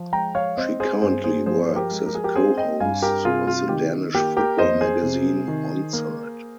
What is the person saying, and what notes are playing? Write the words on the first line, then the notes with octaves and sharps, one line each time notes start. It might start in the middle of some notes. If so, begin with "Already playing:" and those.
She currently works as co-host of the Danish football magazine, Onside.
Already playing: F3
G#3 G5 A#5
C#5 F5
C4 C5 D#5
G#4 C5
G2 G#4 C5
G#4 C5
F3 G#4 C5
C5
G4 A#4
G#3
A#4
G#4
G4 A#4
C4 G#4 C5
D#5 G5
G2 F5 G#5
G4 A#4
C3 F4 G#4
F4
D#3 G4
A#3 G4
G4 A#4
F2 C5 D#5
G#4 C5
C3
D#3
A#3